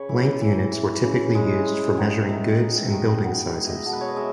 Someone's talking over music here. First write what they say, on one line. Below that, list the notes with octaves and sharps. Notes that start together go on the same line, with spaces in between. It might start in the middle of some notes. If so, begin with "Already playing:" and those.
Length units were typically used for measuring goods and building sizes.
Already playing: C#3 B4 C#5
E3
E3
E3
C#3
G#3
G#3
D#3
D#3 E5
D#5
D#3
E5
D#3
D#5
B2
G#3
D#5 E5
B2 A4
B4
C#5
D#5
G#3 E5